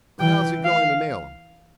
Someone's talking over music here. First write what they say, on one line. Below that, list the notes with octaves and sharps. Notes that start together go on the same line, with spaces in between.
'But how's he going to nail him?
E3 G5
F5